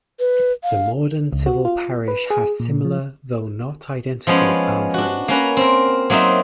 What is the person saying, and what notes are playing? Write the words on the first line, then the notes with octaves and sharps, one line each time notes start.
The modern civil parish has similar, though not identical, boundaries.
B4
F5
C#2
F#4
F4
B4
G#4
A#2
F3
F3 G#3 B3 C#4
D4 F#4
A#3 C#4 B4 A#5
C4 A#4
F#3 A#3 C4 D#4 E5